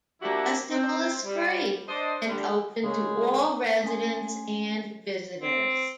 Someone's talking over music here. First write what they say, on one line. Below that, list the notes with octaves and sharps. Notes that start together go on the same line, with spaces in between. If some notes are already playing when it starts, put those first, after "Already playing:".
The festival is free and open to all residents and visitors.
F3 A#3 D4 E4 F#4 G4
C4
G3
D4 C5 D#5
D3 G3
C#3 G#3
A3 C#4 G#5 C6
C4